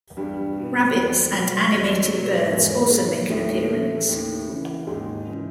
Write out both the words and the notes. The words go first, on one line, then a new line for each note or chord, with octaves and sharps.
Rabbits and animated birds also make an appearance.
E2 G2 G3
B2
E2
B2
E2 F#3
F#3
B2 F#3
G#2 G#3
E2
B2
D#2 A2 A3
C#3 E3
D#2
C#3 E3
D#2 G#2 G#3
C#3 E3